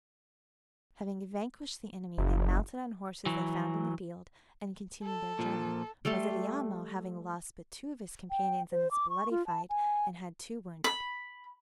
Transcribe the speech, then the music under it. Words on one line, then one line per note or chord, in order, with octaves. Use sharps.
Having vanquished the enemy, they mounted on horses they found in the field, and continued their journey; Brasiliano having lost but two of his companions in this bloody fight, and had two wounded.
F#1
E3 F#3
A4
A#2 F3
G3 A3 A4 C6
G5
C5
D6
C#6
F4
A5
G#5
B5